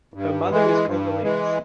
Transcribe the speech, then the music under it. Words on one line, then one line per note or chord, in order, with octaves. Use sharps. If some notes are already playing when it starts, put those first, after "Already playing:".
Her mother is Congolese.
G2
E3 G#3
G2
E3 G#3